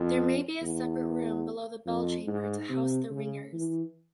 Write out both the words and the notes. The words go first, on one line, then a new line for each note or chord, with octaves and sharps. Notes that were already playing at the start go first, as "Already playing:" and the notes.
There may be a separate room below the bell chamber to house the ringers.
Already playing: F2
E2
F2
G#2
C3
C#3
E3